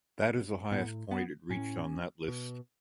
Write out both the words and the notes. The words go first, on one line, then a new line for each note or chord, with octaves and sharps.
That is the highest point it reached on that list.
A2 B3
B3
A2 C#4
B2